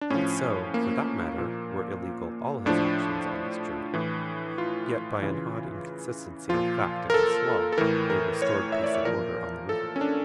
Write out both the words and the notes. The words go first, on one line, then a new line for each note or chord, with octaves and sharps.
But so, for that matter, were illegal all his actions on this journey; yet by an odd inconsistency of fact against law, they restored peace and order on the river.
D4
A2 F3 C#4
A#3
A#2 F3
A2 F3 D4
A2 E3
F4
C#3 E3
A#2 F3 F4
A#4
A4
A4
A2 E3 A#4
A#4
C#5
E5
D5
C#5
A#2 F3 A#4
A4
C#4
D4